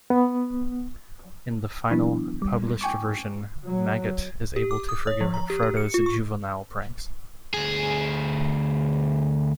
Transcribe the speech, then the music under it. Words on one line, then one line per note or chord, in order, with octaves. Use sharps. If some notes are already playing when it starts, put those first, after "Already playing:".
In the final, published version, Maggot is able to forgive Frodo's juvenile pranks.
B3
E3 F#3 B3 D4 E4
G3
G5 G#5 C#6 D6
F#3
G4
D6
D#6
C#5
F3
A#5
G4
G4
C#7
F4
C#6
D2 G#4